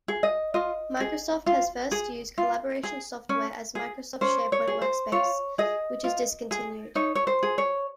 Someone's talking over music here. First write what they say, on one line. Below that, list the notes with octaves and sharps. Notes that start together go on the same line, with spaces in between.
Microsoft has first used the collaboration software as Microsoft SharePoint Workspace, which is discontinued.
G#4
D#5
F4 D#5
G#4
F4
G#4
F4
G#4
C#4
G#4
C#4 C5
C#5
G#4
C5
F4 C#5
G#4 D#5
F4
G#4
D#4 C#5
C#5
C5
G#4
C#5